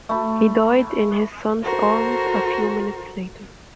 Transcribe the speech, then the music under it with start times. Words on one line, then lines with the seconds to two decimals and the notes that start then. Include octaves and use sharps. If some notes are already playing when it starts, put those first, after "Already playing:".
He died in his son's arms a few minutes later.
0.09 A3 B5
1.62 F#4 A4 A#4 C5